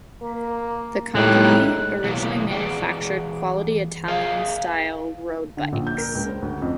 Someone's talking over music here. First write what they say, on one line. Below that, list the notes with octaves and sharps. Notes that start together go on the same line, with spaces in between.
The company originally manufactured quality Italian style road bikes.
A#3
A2 G#3 D#4 G4 F#6
B2 E3 F#3 G3 A#3
E3 F#4 G#4 D5
G#4 A#4 D#5 F5
D3
A#1
G6
A#4
C#2
C5
D2
F2